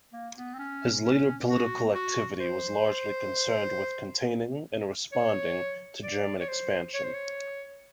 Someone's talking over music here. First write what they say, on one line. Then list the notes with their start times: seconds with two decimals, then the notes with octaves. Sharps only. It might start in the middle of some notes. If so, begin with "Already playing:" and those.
His later political activity was largely concerned with containing and responding to German expansion.
0.13 A#3
0.37 B3
0.54 C4
0.59 C#4
1.04 C#4
1.50 F#4
1.95 F#4
2.40 C5
5.13 C#5
6.03 D5
6.40 C#5
6.48 C5
6.94 C#5
7.04 C5
7.14 C#5